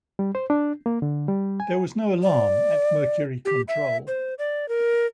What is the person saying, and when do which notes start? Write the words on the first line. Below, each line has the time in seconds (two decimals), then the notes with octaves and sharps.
There was no alarm at Mercury Control.
0.19 G3
0.35 C5
0.50 D4
0.86 A#3
1.02 D3
1.28 G3
1.60 G#5
2.23 D5
3.45 G4
3.68 E5
4.08 C5
4.39 D5
4.69 A#4